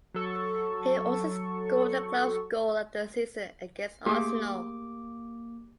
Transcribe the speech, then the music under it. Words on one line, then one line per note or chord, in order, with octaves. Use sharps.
He also scored the club's goal of the season against Arsenal.
F#3 A4 C#6
A3 A#3 G4 G#4 D6